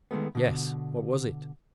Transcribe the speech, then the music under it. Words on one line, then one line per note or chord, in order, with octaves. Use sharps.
"Yes, what was it?"
D#3 G#3 A3 B3
B2 D3